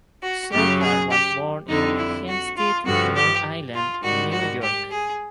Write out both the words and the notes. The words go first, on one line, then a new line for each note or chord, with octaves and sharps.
Southard was born in Hempstead, Long Island, New York.
F#4
F#2 C#3 F#3 G4
G#4
G4
F2 D3 G3 D#4
E4
F#4
F4
G2 D3 F3 F#4
G4
F4
G#2 D#3 G3 F#4
F#4
G4
G#4